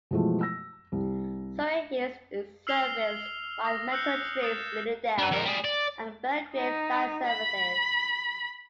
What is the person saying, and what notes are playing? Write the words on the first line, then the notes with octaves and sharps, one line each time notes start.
Surrey Hills is serviced by Metro Trains' Lilydale and Belgrave line services.
B2 E3 F3 G#3 A3
E6 A#6
C2
E6 F6 C7 F7 G7
D#6 A#6
E6 F#6 G6 C#7
D#6 A6 E7
D4 B4
F2 A#4
G3 G#4
D5
D#4
B5